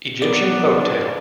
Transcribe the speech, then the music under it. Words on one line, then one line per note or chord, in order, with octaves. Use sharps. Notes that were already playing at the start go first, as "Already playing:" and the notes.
Egyptian folk tale.
F#3 B3 D5
D4